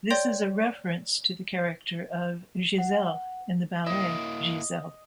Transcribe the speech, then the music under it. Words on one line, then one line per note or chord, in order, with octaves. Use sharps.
This is a reference to the character of Giselle in the ballet "Giselle".
C#5 D5 G5 C6 G6
F#5
A#3 E4 D#5